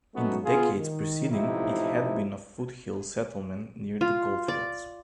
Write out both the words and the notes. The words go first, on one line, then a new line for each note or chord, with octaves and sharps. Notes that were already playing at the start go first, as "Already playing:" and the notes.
In the decades preceding, it had been a foothills settlement near the gold fields.
F#3 A3 B3 C#4 D#4 F#4
B3 F4 G#4
D#3
A1 A2 C3 F3 D#4 E4
F4
D5